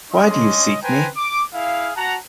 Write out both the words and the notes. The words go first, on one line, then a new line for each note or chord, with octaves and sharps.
Why do you seek me?
C#4 D4 D#5 C6
B4 C5 G5 G#5 A#5
D6
E4 G#4 F5
F#4 F#5 A5 A#5